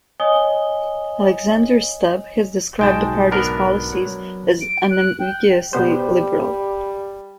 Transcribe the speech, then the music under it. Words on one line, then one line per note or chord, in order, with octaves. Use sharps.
Alexander Stubb has described the party's policies as "unambiguously liberal".
C#5 D#5 G#5 D#6 G7
B1 G#2 G#3 F#4 G5 A5
B3 D4 A#4
F#3
D7
F#6
G5
B2 G3 B3 C5